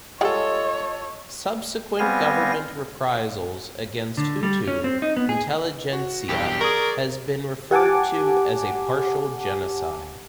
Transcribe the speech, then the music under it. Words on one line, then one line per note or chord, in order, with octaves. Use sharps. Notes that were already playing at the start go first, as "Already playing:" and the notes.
Subsequent government reprisals against Hutu intelligentsia has been referred to as a 'partial genocide'.
G3 G#3 F4 A4 C#5 D#5 F#5
G3 B3 C4 F5 G#5 A#6
D3
G3
C#4
C4
D#4
B3
G#4
F#4
B1 E2 G2 G4
G#4 A#4 D5 C#6 D#6
G4 F#5 G#5 A5 D6